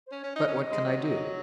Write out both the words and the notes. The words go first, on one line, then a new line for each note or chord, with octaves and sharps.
But what can I do?
C5
C#4 C#5
C#4
D#4 D#5
C#4
D#5
G#3
F#3
F#3